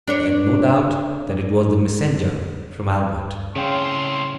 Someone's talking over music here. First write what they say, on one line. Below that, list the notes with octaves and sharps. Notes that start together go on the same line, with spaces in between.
He had no doubt that it was the messenger from Albert.
D4 B4 C#5
A2 C#3 C4 C#4 F5 G5 C6